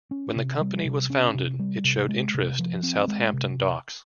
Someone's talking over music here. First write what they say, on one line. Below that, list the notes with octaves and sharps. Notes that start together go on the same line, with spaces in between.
When the company was founded it showed interest in Southampton Docks.
C#4
C3
G3
C3
C#4
C3
G3
C3
G#3
C3
F3
C4
G#3
C3